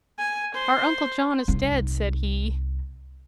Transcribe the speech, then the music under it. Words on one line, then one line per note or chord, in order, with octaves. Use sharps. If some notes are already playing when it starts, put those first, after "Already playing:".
"Our uncle John is dead," said he.
G#5
C5
C2 D#4